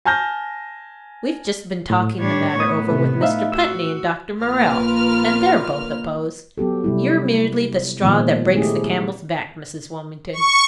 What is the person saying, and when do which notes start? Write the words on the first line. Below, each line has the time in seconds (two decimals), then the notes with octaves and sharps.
"We've just been talking the matter over with Mr. Putney and Dr. Morrell, and they're both opposed. You're merely the straw that breaks the camel's back, Mrs. Wilmington."
0.05 G#5 A5 F6 G6 A#6
1.90 A2
2.19 G3 D4 C#5
2.56 A2 B3 C#6 D#6
2.88 C3 A3 B4
3.21 D#4 E5 F5
3.52 F#4 E6
4.41 A#1 A#3 F4 A#4 B4 F6
6.58 F#3 B3 G4 A4
6.84 C3 G3 E4
8.01 A#2 D#3 F3 G#3 B3
8.55 A3 C#4 D#4 E4 G4 G#4
10.33 C#6